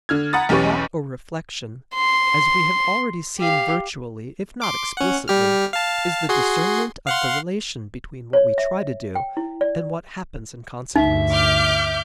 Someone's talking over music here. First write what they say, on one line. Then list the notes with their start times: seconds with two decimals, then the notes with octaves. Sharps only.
Thought or reflection, as we have already seen virtually if not explicitly, is the discernment of the relation between what we try to do and what happens in consequence.
0.09 D3 F6 G#6
0.33 F#5 A#5 B5 D#6 A6
0.49 B1 E2 C#4 G4 B4 C#6
1.94 C6
3.40 G4 F5
4.62 C6 D6
4.97 C#4 F#5
5.28 G3 G4 F6
5.73 F5 A5
6.29 F#4 G#4 C6
7.07 F5 F#5 C6
8.33 C#5
8.58 E5
9.15 G5
9.37 E4
9.61 D5
10.96 D2 G2 D#4 E5
11.31 D6 F6 G6